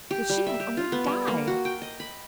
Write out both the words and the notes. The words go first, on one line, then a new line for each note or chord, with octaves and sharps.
If she had only died!
G4
G3
E5
G4
F4
B3
G3
A#3
F#4
G5
D#5
B5